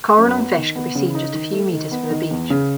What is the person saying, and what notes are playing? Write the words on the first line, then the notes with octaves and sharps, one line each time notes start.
Coral and fish can be seen just a few metres from the beach.
F#2
B3
D#3
B3
C#3
D#4
D#3
A3
D#3
B3
D#3
E2
C#3